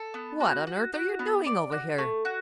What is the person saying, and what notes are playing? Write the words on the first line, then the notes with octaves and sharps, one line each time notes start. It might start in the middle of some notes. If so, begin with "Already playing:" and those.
"What on earth are you doing over here?"
Already playing: A4
B3
F#4
F#4
F#4
B3
D5
F#4
A3
F#4